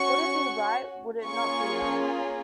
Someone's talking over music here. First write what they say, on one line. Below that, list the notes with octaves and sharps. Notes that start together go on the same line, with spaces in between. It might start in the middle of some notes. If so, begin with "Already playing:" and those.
Would it be right, would it not be right?
Already playing: C#4 F#4 C#6
A#3 C#4 F4 G#4 C#6